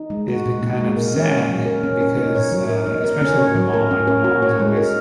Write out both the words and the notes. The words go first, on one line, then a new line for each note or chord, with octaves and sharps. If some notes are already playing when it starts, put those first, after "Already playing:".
it's been kind of sad because, uh, especially with my mom like, my mom was always
Already playing: D#4
G#3
F#4
A#2
D#4
G#3
A#4
C#4
C#5
F#3
A#4
C#4
A#4
D#4
C#5
F#3
A#4
D#4
A#4
C#4
C#5
F#3
A#4
C#4
A#4
F#4
C#5
G#3
A#4